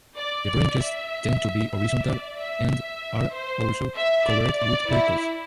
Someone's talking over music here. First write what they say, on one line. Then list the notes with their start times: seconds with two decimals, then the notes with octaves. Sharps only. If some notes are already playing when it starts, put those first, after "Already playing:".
The branches tend to be horizontal and are also covered with prickles.
0.17 D5
0.49 D5
0.81 E5
1.75 E5
2.06 D5
2.38 E5
2.70 E5
3.33 C5
3.96 E5
4.28 D5
4.60 D5
4.91 E4